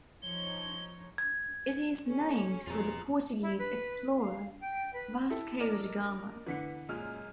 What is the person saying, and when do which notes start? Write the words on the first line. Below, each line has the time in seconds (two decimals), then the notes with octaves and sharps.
It is named for the Portuguese explorer Vasco da Gama.
0.23 F3 D#4 C#5 G7
1.18 G#6
2.07 C#4 A4
2.67 F2 B2 F4 G#4 A#5
3.41 E4
3.58 B4
4.18 F5
4.60 G5
4.93 B4
5.30 E4 G4 A4
5.60 A#4 D5 D#5
6.47 D3 E3 B3 B6 C#7
6.89 F#2 A#2 G#3 F6